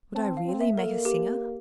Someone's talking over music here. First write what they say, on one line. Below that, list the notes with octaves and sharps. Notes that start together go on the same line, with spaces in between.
Would I really make a singer?
C4 A5
F5
C4
E5
A#3 A#4
A4
G4